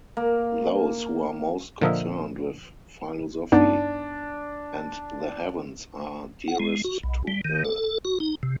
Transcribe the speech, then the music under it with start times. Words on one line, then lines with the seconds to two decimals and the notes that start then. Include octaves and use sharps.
Those who are most concerned with philosophy and the heavens are dearest to her.
0.17 A#3
1.82 A#2 D3 F3 A#4 D#5 E5
3.52 G2 B3 D4 D#4
6.48 F#5
6.60 G#3
6.84 F#4
7.03 B1
7.28 G3
7.45 D#3
7.65 A4
8.05 F#4
8.20 D#4
8.43 C3